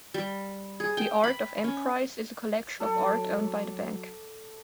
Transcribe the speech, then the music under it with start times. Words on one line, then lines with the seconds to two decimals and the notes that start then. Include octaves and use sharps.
The Art of Emprise is a collection of art owned by the bank.
0.14 G3
0.80 G#4
0.97 G5
1.24 B5
1.64 C#4
2.80 F#3 A4 D5